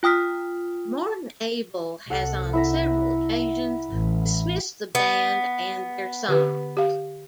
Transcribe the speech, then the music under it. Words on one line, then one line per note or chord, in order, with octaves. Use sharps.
Morten Abel has on several occasions dismissed the band and their songs.
F4 G5 D#6 F6 B6
C2 A4 F#5
E4 E5 A#5
A1
B3
D3 G4 B4
G4 F5